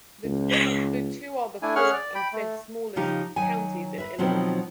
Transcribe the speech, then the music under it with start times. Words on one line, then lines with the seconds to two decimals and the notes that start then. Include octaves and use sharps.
The two are the fourth and fifth smallest counties in Illinois.
0.24 C#2
1.62 A3 D4 E4 G#5
1.76 C#4 G#4 F#5 C#6 F6
1.93 D5
2.15 G5 B5
2.33 A3
2.96 C#3 F3 D#4 G4
3.36 D#3 F#3 G#5
3.98 B4 E5
4.18 B2 D#3 F3 F#3 B3 C4